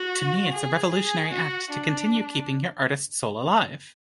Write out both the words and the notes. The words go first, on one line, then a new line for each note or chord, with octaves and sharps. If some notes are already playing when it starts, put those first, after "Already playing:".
To me it's a revolutionary act to continue keeping your artist soul alive.
Already playing: F#4
G#4
G#4
F#4
D4